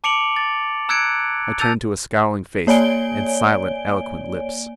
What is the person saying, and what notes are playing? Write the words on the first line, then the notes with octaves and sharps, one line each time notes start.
I turned to a scowling face, and silent, eloquent lips.
A5 D6 C#7 D7 F7 F#7
A6
A#5 E6 F#6 G#6 C#7 D7
A5 E6 G6 A6 F7
A#3 C#5 D5 G#5 D7 G7